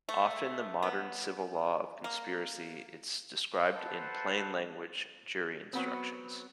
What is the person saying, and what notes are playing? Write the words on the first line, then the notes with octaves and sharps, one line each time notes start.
Often the modern civil law of conspiracy is described in "plain language" jury instructions.
A3
B3
A#3
A4 B4 C5 F#5 A5
F#3 B3 C4